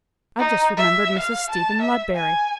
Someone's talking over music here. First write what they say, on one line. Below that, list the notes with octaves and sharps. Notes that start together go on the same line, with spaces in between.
I’ve just remembered Mrs. Stephen Ludberry.
D#4
E5
F5
A5
E5
G#5